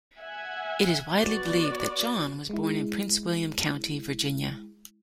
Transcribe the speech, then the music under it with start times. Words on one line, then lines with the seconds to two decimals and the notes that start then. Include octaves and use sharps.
It is widely believed that John was born in Prince William County, Virginia.
0.18 E5 F#5 G#5
1.11 B3 F#4 D5
2.49 G#3 E4